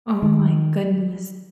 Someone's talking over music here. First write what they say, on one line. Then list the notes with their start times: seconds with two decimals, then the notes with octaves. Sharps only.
Oh my goodness.
0.22 D#3